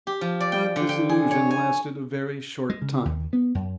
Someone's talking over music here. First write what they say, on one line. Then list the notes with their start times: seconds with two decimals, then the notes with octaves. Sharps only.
But this illusion lasted a very short time.
0.07 G4
0.21 F3
0.40 D5
0.52 G5
0.76 D3
0.89 G5
1.09 G#4
1.31 C#5
1.51 G#5
2.70 G#3
2.82 C#3
3.05 D#2
3.33 B3
3.55 F#2